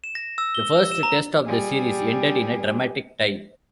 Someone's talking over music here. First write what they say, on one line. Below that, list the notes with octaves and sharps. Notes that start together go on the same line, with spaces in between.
The first Test of the series ended in a dramatic tie.
E7
A#6
E6
G7
E6
E7
A#5
G3 G#4